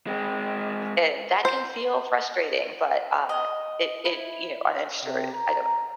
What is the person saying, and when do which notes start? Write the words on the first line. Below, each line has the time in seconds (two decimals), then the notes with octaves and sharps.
and that can feel frustrating, but, uh, it it you know, and I'm sure I don't
0.07 G#3 C4
1.45 C5
3.29 D#5
4.05 E4
5.05 C3
5.33 A#5